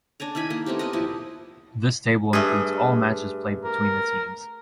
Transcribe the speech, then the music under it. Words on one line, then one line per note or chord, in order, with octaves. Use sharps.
This table includes all matches played between the teams.
D4 D5 G#5 A#5
D#3 E4 G#5 B5
A#3
A3 B3 C4 G4
G4 A#4 B4 D#5
F3 E4
G2 A3 G#4
A#4